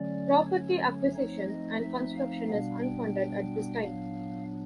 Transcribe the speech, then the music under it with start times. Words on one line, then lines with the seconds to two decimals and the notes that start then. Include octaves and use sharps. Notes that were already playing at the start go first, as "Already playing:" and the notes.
Property acquisition and construction is unfunded at this time.
Already playing: D3 F#3 A3 C#4 D5
0.47 C#5
1.15 F3 A3 C4 D#4 C#5
1.49 D#5
1.82 E5
2.16 F5
2.49 B2 G3 B3 D4 F5
2.83 G5
3.83 A#2 F#3 B3 D4 F5